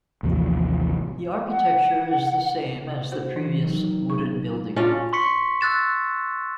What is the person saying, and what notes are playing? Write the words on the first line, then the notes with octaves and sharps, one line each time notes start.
The architecture is the same as the previous wooden building.
A1 D#2 C3 F3
F#5
F#4 C5
E3
D#3 F#3
C#6
C#4 D4 F4 F#4
C6 C#6 B6 C#7
E6 F#6 A6 E7